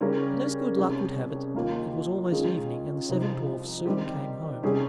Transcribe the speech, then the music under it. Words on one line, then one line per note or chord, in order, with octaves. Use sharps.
But as good luck would have it, it was almost evening, and the seven dwarfs soon came home.
C#3 G3 C#4 G4 A#4
C2 C3 G3 C#4 G#4
D#2 D#3 A#3 F4
D#3 G#3 C#4 F4 G#4
C2 C3 F3 C4 D#4
D#3 G3 C4 G4
C3 G3 C#4 G#4